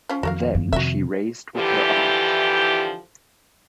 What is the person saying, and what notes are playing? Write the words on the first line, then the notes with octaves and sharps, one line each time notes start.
Then she raised with her aunt.
F3 C#4
F2 D#3 C#4 F#4 A#4 F5
F#2
C3 F#4 E5
D3 E3 F3 E4 G4